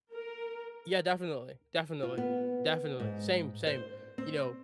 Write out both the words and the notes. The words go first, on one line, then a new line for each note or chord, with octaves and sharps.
Yeah, definitely. Definitely. Definitely. Same same. You know,
A#4
F4
B3
G#2
C5
C4